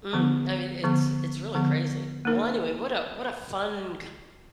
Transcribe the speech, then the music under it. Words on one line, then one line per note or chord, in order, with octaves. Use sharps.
Mm. I mean, it's it's really crazy. Well, anyway, what a what a fun c
D3 F3 B3
D3 F3 B3
D3 F3 B3
A#3 D#4 A#4